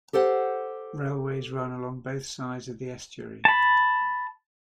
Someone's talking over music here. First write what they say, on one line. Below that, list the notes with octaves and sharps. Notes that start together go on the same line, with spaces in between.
Railways run along both sides of the estuary.
G4 A4 C5 F#5
A5 B5